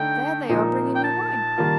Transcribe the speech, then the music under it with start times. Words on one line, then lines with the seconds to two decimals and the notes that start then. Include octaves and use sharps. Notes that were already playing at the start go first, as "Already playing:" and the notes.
There they are bringing new wine.
Already playing: D3 A3 D#4 G5
0.49 A#2 F3 A#3 D#4
0.95 G5
1.04 A5
1.58 D#3 G3 A#3 F4